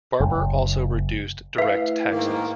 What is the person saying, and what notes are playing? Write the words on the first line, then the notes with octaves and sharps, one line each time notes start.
Barber also reduced direct taxes.
F#1
A2 B4 E5 F5
G#2 D#3 A#3